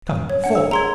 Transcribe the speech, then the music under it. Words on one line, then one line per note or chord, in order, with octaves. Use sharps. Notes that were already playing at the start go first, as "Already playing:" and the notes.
Come, four?
C#5
D4 F#5 G#5
E6
G#4 A#4 A#5 C6 G#6